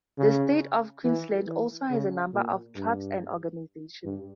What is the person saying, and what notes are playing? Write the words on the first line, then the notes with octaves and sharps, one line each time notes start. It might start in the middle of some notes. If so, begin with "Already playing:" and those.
The state of Queensland also has a number of clubs and organisations.
C#3
E3
E3
C#3
A#2
G2
G2